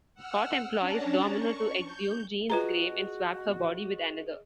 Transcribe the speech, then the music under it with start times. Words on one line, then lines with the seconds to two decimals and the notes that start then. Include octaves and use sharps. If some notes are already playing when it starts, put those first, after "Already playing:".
Scott employs Domino to exhume Jean's grave and swap her body with another.
0.14 F#5 E6 F6
0.79 C#4 D4 A5 A#5
1.28 C#6
1.84 G6
2.50 F4 F#4 G#4 B4 D#5 A#5